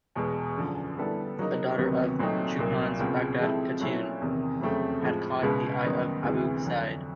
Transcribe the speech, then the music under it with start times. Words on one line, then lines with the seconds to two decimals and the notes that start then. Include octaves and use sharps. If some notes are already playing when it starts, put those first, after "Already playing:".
A daughter of Chupan's, Baghdad Katun, had caught the eye of Abu Sa'id.
0.15 E2 B2 G#3
0.57 F#2 D3 F3
0.97 D3 G3 B3 E4 A4
1.38 C#3 F#3 A#3 D#4
1.78 D2 C3 D#3 F#3 B3
2.19 A#2 F#3 A3 C4 D#4
2.59 C2 A#2 F#3 A#3
2.99 C#2 B2 G#3 C4 F4
3.40 F3 G#3 C4 E4 A4
3.81 A#2 F#3 A3 C#4 E4
4.21 E2 C3 D#3
4.61 F2 C#3 F#3 A3 C4
5.02 A2 F3 G#3
5.42 C#2 B2 G#3 B3
5.83 F#2 D#3 G3 B3 D#4
6.23 D2 C3 E3 G#3
6.64 F2 D3 F#3